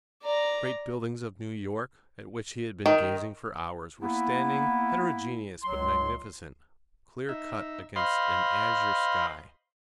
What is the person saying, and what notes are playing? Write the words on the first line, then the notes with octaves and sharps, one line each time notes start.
The great buildings of New York, at which he had been gazing for hours, were standing, heterogeneous but magnificent, clear-cut against an azure sky.
D5 A#5
D#3
A#3 B3 E4
C#2 F#3 C6
D#4 E5
C5 D#5 F5 B5 C6